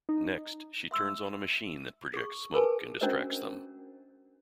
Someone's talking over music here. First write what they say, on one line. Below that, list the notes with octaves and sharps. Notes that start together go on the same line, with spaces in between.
Next, she turns on a machine that projects smoke and distracts them.
D#4
E5 C6 E6
G#4 C#6
G#4 A#4 B4 G#5 A5
C#4 D4 F#4 A#4 C5 D#5